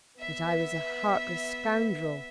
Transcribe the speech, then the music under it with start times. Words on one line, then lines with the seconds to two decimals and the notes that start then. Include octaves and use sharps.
"That I was a heartless scoundrel."
0.18 B3 E5